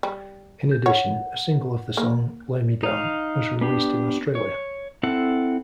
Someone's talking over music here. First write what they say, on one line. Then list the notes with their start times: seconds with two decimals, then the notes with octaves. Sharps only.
In addition, a single of the song "Lay Me Down" was released in Australia.
0.03 G3
0.71 G6
0.86 C#5 F#5
1.97 A#3
2.83 D#4 F5
3.61 B3 D4 G4
4.35 C#5
5.03 C4 E4 A4 F#5